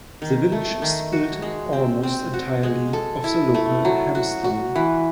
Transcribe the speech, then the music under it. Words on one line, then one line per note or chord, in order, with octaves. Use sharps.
The village is built almost entirely of the local hamstone.
D#3
A3
D#3
F#4
G#3
C4
C4
F#4
G#3
A4
E4
A3
F#3
F#4
F#4
E3